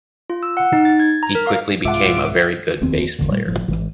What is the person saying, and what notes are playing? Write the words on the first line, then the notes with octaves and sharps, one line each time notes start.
He quickly became a very good bass player.
F4
E6
F#5
D#4
A6
G#6
A#5
A#4
F5
C2 G#2 G#3 F4 E5 F#5 D6
F1 D#2 B3 C4
G#1 E2 D3 E3
A#2 G3 A3
G1 A2 F3
G#1 E3